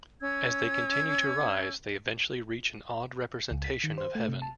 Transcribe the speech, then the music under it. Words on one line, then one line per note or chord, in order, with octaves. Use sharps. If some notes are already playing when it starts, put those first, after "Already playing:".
As they continue to rise, they eventually reach an odd representation of heaven.
C#4 E6 G#6
C#2
B6
D#3
C5
A3
C3
A5